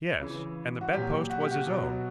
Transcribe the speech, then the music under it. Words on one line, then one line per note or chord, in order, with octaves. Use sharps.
Yes! and the bedpost was his own.
C#3 E3
F#4
A#2 F#3 G4
F#4
G4
F#4
B2 F#3